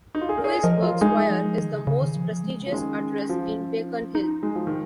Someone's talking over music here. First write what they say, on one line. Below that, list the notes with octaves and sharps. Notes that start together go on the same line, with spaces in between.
Louisburg Square is "the most prestigious address" in Beacon Hill.
D#4
F4
G#4
A#4
G#4 C#5
F3 A#4 D#5
F4 A#4
G#3 D#4 G#4
F3
D#3
C#3
C#3
D#3
F3
G#3
F3
D#3 G#3 C#4
F3
D#4
C#4
D#4
G#3
F3
D#3